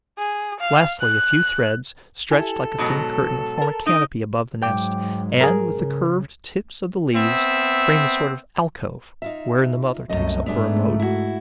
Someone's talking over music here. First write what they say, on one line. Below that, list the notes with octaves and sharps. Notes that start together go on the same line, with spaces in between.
Lastly, a few threads, stretched like a thin curtain, form a canopy above the nest and, with the curved tips of the leaves, frame a sort of alcove wherein the mother takes up her abode.
G#4
F5
F#6
E4 G4 A4 G#5
G#2 B2 F#3
A#4 A5
D#4 D#5 D7
G#2 F#3 G5 D6
G#4 A#4
C#3
B3 C4 E5
D#4 F4 E5
C2 F#2 A3 D#5
G#2 A3 B3 D4 G#4
E4 F#4